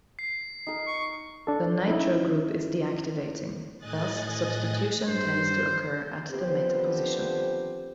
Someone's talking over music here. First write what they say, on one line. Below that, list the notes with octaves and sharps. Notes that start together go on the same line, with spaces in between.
The nitro- group is deactivating, thus substitution tends to occur at the "meta"-position.
C7
D#4 A#4
C#6
D4 A4
C#4 D#4 E4
A2 D#5 G#5 D#6 F#6 A6
G2 C5
D3 F3 B3 C4 G4 C5